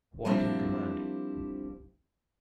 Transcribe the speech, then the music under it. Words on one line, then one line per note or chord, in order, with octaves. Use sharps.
White in command.
F3 G3 A#3 C4 D4 E4